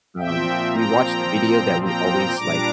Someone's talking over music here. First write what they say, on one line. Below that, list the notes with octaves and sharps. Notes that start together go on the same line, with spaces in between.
um, we watched a video that we always, like,
A#2 F3 C4 E5 G5
G5 A#5
G5 A#5
A#2 G3 D4 A#5 D6